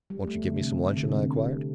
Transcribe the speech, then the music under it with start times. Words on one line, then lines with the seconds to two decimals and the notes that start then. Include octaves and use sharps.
"Won't you give me some luncheon?" I inquired.
0.10 G3
0.27 A3
0.44 D3
0.56 C3
0.97 D3
1.04 C3
1.12 D3